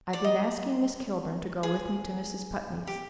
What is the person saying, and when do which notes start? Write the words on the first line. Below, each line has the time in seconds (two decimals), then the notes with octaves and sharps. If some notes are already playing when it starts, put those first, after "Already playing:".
I've been asking Miss Kilburn to go with me to Mrs. Putney's.
0.13 D5
0.24 D#5
1.63 G#4
2.87 G4